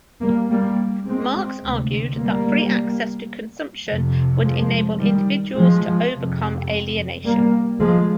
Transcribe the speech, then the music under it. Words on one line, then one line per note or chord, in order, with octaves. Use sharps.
Marx argued that free access to consumption would enable individuals to overcome alienation.
G3 A#3
G3 A#3
G#3 C4
D2 C3
G3 A#3
F2 C3
F3 G#3
D#3 G3
F3 G#3
F2 C3
G3 A#3
F3 G#3